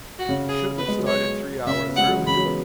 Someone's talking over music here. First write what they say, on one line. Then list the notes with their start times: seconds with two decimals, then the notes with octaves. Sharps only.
He should have started three hours earlier.
0.19 F#4
0.29 C#3
0.49 G#4
0.78 B3 B4
0.88 G#3
0.98 F#3
1.08 C#5
1.67 C#3 E5
1.89 B3
1.96 G#3 F#5
2.08 F#3
2.17 E3
2.27 C#3 B5
2.36 F#3
2.46 B3